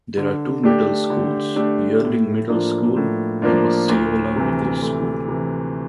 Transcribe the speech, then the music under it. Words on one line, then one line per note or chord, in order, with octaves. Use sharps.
There are two middle schools: Yearling Middle School, and Osceola Middle School.
D3
A3 D4 G4
D3
A3 D4 G4
A2
F3 A#3 D4 F4
A2
F3 A#3 D4 F4
D2
C3 E3
D2
C3 E3